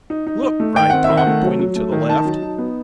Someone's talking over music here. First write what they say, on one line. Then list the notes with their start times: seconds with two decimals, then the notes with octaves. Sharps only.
"Look!" cried Tom, pointing to the left.
0.10 D#4
0.27 D#4
0.43 D#4
0.60 A3
0.76 D#3 G5
0.90 C4 F#5
1.04 E5
1.10 D#3
1.17 F#5
1.27 A3
1.43 F#3
1.59 F#3
1.76 A3
1.92 D#3
2.09 D#4 A5
2.25 F#3
2.42 D#4
2.58 B3